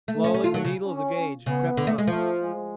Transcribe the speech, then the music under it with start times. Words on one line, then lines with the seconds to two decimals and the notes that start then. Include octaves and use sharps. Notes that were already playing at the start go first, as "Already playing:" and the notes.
Slowly the needle of the gauge crept up.
0.08 A3
0.23 A3 C#4
0.34 C#4
0.44 F4
0.54 F#3
0.64 C#3
0.85 C#4
1.46 C#3 B3
1.77 D3
1.87 A3
1.98 G#3
2.07 F3 A3
2.39 G#3